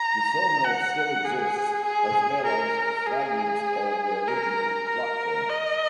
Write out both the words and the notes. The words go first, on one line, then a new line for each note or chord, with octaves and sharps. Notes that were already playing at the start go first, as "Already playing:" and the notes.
The sawmill still exists as well as fragments of the original platform.
Already playing: A#5
F#5
G#4
G#4
A#4
G#4
A#4
A#4
D#5